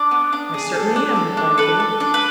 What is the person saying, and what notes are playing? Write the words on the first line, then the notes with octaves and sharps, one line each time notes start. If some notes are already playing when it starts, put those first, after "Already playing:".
"I certainly am," replied Kitty.
Already playing: D4 D5
B3
D4
G#4
A4
D4
A4
D4
A4 B4
A4
D4
B4